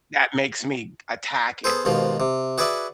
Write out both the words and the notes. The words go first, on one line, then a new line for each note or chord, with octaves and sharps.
that makes me attack it,
B3 G#4 A4 C5
D#2 G#2 B2 F3
C3
F#4 G#4 B4 D5 E5